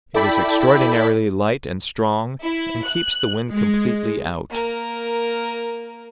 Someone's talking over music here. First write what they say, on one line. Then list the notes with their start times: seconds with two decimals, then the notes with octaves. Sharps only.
It is extraordinarily light and strong, and keeps the wind completely out.
0.14 E4 A4 D5 G5 B5 B6
2.42 E4
2.86 F#6
3.51 G#3
4.50 A#3 A#4